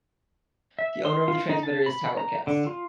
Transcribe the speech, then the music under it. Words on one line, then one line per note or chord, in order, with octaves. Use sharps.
The owner of the transmitter is Towercast.
E5
C6
F4
D#4
A5
B5
A#5
D3
F4